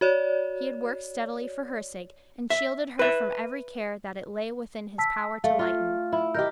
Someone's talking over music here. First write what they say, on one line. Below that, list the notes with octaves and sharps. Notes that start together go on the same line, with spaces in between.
He had worked steadily for her sake, and shielded her from every care that it lay within his power to lighten.
F#4 C#5 D5
E5
B4 E5
A5 E6 B6
A3 F5
F4
E4
G4 A#4 D#5 G6